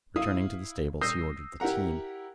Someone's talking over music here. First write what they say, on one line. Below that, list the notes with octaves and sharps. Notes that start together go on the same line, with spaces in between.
Returning to the stables, he ordered the team.
E4 F5 D#6
D#6 E6 G6 A#6 C7
E4 G4 A#4 F#5 A#5